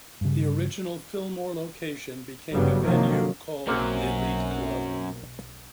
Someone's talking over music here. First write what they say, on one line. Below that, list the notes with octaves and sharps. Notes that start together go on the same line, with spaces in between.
The original Fillmore location became a venue called The Elite Club.
G2 C#3
G1 G2 C#3 F#3 G3 B3
C3 D#3 F3 F#3 A#3
B1 F#2 F#3 A#3 C4